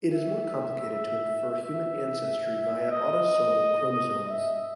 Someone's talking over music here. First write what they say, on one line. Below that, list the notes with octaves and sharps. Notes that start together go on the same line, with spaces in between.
It is more complicated to infer human ancestry via autosomal chromosomes.
E5
E5
D#5
E5